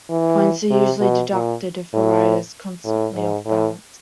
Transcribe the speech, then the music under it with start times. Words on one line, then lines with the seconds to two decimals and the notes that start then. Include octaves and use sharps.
Points are usually deducted if a rider is constantly off balance.
0.10 E3
0.70 C3
1.01 B2
1.32 A#2
1.93 A2
2.85 A2
3.15 G#2
3.46 A2